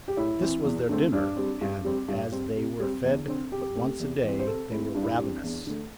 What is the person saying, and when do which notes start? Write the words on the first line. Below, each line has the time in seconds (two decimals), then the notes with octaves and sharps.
This was their dinner, and as they were fed but once a day they were ravenous.
0.08 G4
0.17 A2 E4
0.41 E3 C4
0.65 E2
0.89 D3 A3 C4
1.13 G2 D4
1.36 G3 C4
1.61 G2
1.85 G3 C4
2.08 G2
2.32 G3 C4
2.56 C3
2.79 G3 C4
3.04 E2
3.28 D3 C4
3.52 C3 G4
3.75 A3 C4
3.99 E2
4.24 E3 C4
4.39 C5
4.47 C3 A4
4.71 A3 C4 E4
4.95 G2 D4
5.03 E4
5.11 D4
5.19 G3 C4
5.44 E2
5.67 D3 A3